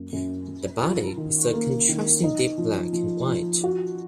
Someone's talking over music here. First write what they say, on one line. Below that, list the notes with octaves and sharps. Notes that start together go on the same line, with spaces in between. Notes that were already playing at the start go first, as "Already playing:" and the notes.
The body is a contrasting deep black and white.
Already playing: F#2 A#3
F#2
F#2
F4
D#3
A#3
D#3
D#4
F3
F3
F3
F#4